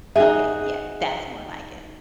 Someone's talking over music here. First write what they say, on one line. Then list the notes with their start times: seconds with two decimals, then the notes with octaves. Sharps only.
Okay, yeah, that's more like it.
0.16 D#4 F#4 G#4 E5